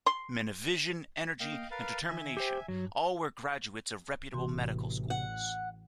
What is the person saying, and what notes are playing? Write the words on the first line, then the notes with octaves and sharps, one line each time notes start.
Men of vision, energy, and determination, all were graduates of reputable medical schools.
C6
A#3 D#5 F5 G5
A#4 B4 F5 A6
D#3 E5 G#5
G4 C5 G5
G2 F#3
A1 C3 E3 F#4 C6
F#5